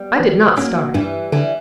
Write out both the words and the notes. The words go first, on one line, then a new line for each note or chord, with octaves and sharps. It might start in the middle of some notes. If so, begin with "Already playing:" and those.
I did not start!
Already playing: G3 B3
E3
F#3 A#3 C#4
G2 E3 G3
D3 E3 G3